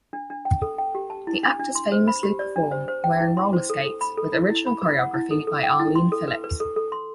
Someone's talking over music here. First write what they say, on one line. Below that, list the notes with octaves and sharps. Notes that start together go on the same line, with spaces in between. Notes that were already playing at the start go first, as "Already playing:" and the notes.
The actors famously perform wearing roller skates, with original choreography by Arlene Phillips.
D4
D4
G5
A4
G5
G4
A5
E4
D4
D4
C6
C5
B5
G4
D5
D4
C5
C5
G5
E4
C6
C5
A4
A4
B5
A4
E4
E4
B5
B4
F#5
E4
A4
A4
G5
E4
C6
A4
B4
B4
A4
A4
C6